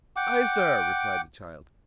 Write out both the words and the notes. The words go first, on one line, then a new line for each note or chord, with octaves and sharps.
"I, sir," replied the child.
F#5 G5 D6